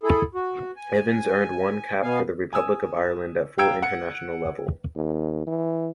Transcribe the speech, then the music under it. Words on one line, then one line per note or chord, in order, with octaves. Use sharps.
Evans earned one cap for the Republic of Ireland at full international level.
E4 G#4 A4
F#4
G#5
B2 B3 F5 G#5
G#5 D#6 E6
F5 G5 A#5 E6 G#6 D7
F#5 C#7
D#2
E3